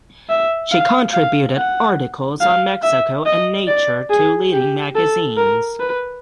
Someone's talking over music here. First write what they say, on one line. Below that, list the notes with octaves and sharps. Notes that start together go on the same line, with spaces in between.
She contributed articles on Mexico and nature to leading magazines.
E5
F5
F5
F#5
F5
E5
D#5
D5
G#4
G4
A4
A#4
B4